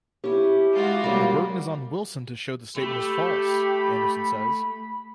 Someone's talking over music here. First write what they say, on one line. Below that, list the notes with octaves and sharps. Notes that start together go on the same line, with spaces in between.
The burden is on Wilson to show the statement is false, Anderson says.
C#4 E4 G4
G#3 F4 F#4
G3 A#3 C#4
A3 G4 B5